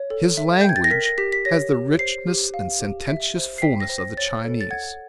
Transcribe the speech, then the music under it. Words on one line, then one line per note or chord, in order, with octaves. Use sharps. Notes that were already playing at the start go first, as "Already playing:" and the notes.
His language has the richness and sententious fullness of the Chinese.
Already playing: C#5
A4
E5
G6
G5
G#6
A6
A#6
A#4 B6
A#6
G4 B6
B6
C#5 A#6
G4
C5 C7
G4
F5
G4
E5
C5
C7
G5 B6
A#6
C5
A#6
C#5 A6
A4
A6
F#5 G#6